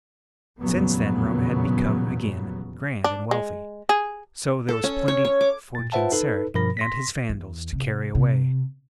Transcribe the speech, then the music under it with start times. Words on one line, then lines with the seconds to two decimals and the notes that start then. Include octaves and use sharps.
But since then Rome had become again grand and wealthy, so there was plenty for Genseric and his Vandals to carry away.
0.60 F1 E2 A#2 C#3 F#3 B3
3.04 D4
3.31 G#3
3.89 G#4
4.69 A4
4.84 C#4
5.08 C#5
5.25 C#5
5.41 D6
5.75 A#2 A6
5.92 F4 B4 C5 E5 F#5 A5
6.12 D#4 A4 B4
6.54 G2 B2 F3 A#4 B5 A#6
6.77 C6 A#6 B6
7.29 E2
7.73 C3
8.15 C3